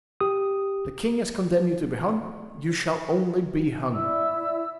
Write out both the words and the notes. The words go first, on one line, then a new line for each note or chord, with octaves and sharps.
The king has condemned you to be hung: you shall only be hung.
G4 D#6
E4 D5 E5 E6